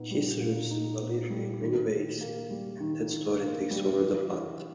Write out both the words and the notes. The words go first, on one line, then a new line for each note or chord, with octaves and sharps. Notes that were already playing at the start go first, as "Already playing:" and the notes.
He serves Valeria in many ways, and that story takes over the plot.
Already playing: A#2 B3 D#4
G3
A#2
D#4
B3
G3
D#3
D#3
A#3
G3
D#3
D#3
A#3
G3
E3
E3